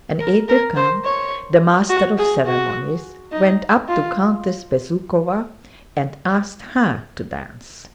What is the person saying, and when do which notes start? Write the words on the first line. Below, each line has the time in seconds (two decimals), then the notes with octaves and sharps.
An aide-de-camp, the Master of Ceremonies, went up to Countess Bezukhova and asked her to dance.
0.20 A#4
0.49 A#4
0.77 C5
1.05 C#5
1.90 F#4
2.19 G#4
2.46 F#4
3.32 D#4
3.88 F4